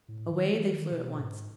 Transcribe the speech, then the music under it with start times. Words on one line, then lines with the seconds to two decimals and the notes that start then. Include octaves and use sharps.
Away they flew at once.
0.08 A2
0.30 D#3
0.50 E3
0.70 D#3
0.92 B2
1.19 G#2